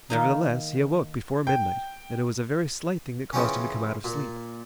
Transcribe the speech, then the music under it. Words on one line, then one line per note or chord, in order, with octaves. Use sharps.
Nevertheless he awoke before midnight, and it was a very slight thing that caused him to come out of sleep.
D#3 A#3 D#4
G5
C#3 E3 F3 C4 C#4
A#2